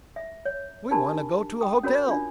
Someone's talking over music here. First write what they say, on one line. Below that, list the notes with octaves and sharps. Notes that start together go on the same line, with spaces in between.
"We want to go to a hotel."
E5
C#5
D4 D#4 G4 A#4 A5 B5
G5 D#6
C#4 F#4 A#4 C#5 B5
D4 F4